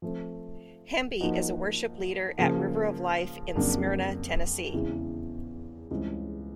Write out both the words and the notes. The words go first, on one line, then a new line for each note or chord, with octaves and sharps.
Hemby is a worship leader at River of Life in Smyrna, Tennessee.
F3 A3 C4
F3 A#3 D#4 F#4
C#3 F3 A#3
F2 C#3 F#3 A#3 D4
E2 C#3 E3 G#3 C4
C#2 C#3 E3 G3 C4